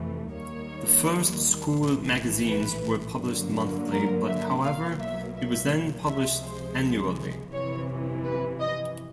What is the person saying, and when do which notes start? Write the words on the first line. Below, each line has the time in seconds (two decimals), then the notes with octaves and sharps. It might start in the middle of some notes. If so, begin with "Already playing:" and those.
The first school magazines were published monthly but however, it was then published annually.
Already playing: F2 C3 E3 A3
0.32 D#2 D#3 G3 A#3 C#5
1.75 A#1 A2 E3 A3
2.48 B4
3.20 G2 D3 F#3 A#3
3.92 A#4
4.28 E5
4.64 B1 B2 F#3 A#3 F5
4.99 E5
5.36 E5
6.07 C#2 C3 F3 G#3 E5
6.43 C5
7.51 G1 F2 C3 E3 C#5
8.23 B4
8.60 D#5